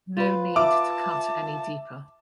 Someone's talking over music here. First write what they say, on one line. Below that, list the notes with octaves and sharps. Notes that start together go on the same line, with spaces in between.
No need to cut any deeper.
F4 B4
E5 A5 D6